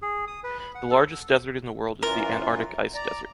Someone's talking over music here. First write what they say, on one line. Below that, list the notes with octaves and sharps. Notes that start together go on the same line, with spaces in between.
The largest desert in the world is the Antarctic Ice Desert.
G#4
D#6
B4
B5
F#5
A4
F#2 E3 F4 A#4
D5 A#5